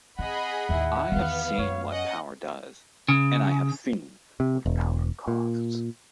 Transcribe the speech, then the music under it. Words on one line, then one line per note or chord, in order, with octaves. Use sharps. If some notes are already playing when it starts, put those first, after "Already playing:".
I have seen what power does, and I have seen what power costs.
C4 G#4 D#5 F#5 B5
A1 D#2 E4
E2 D#3 B3 F5
F#2 C#5
C#4 D#5 F#5
C#3
C3
E1
A#2